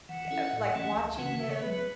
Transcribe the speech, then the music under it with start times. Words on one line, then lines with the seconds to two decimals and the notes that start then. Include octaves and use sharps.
y uh, like watching him,
0.09 E3 F#5
0.31 C#4 E4 A4
0.53 A2
0.75 E3 A3 C#4
0.96 C#2 A5
1.18 C#3 E3 C#4 F#4 F#5
1.40 C#3 E5
1.50 C#5
1.61 F#3 B3 B4
1.73 B4